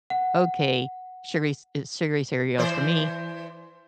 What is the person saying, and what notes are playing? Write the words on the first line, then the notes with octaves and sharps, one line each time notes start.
"Okay, sugary ce sugary cereal's for me."
F#5
E3 C5 D5